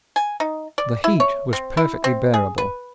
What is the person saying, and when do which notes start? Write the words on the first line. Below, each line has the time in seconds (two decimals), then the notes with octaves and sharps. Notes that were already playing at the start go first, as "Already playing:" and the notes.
The heat was perfectly bearable.
0.16 G#5
0.40 D#4
0.78 D5
1.04 E4
1.20 C#5
1.53 C4
1.77 E4
2.04 C4
2.34 G#4
2.58 B4